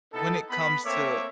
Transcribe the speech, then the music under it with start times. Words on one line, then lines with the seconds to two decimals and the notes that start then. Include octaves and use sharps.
when it comes to
0.13 B3 D#4 E4 A4
0.50 B3 B5
0.85 A3 A#3 C4 C#5 E5 D6